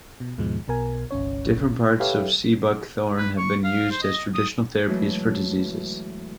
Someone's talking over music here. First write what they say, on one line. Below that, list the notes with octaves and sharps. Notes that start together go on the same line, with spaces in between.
Different parts of sea buckthorn have been used as traditional therapies for diseases.
B2
D#2 G#2 B2 F3 G#3
B1 B2 A#4 G#5
G1 C2 C#4 C#5
G4 A4 B4 C#5 E5 F5
B4
C#6
F5
C5
D#5
D#6
B2 E3 F#3 G#3 A3